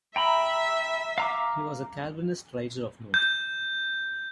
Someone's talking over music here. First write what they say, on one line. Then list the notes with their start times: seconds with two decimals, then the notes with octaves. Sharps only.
He was a Calvinist writer of note.
0.16 E5 G5 A#5 B5
1.18 F5 A#5 D6
3.14 G6